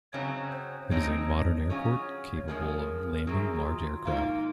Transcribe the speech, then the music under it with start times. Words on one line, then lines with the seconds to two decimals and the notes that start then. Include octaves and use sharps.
It is a modern airport capable of landing large aircraft.
0.13 F#2 C#3 F#3 C4 D#4 C#5
0.52 C5
0.91 F2 D#3 G#3 C4 D#4 C#5
1.30 C#5
1.70 F#3 C#4 F4 G#4
2.48 F3 G#3 C#4 F4 G#4 A#4
3.27 F#2 D#3 F#3 G#4
3.66 F4
4.05 G#2 D#3 A#3 D#4 F4